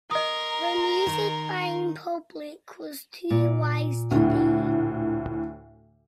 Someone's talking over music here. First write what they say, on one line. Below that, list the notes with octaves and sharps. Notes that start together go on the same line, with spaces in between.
The music buying public is too wise today.
A#4 D#5 A#5 C6 D#6
D#3
A#2
D2 A2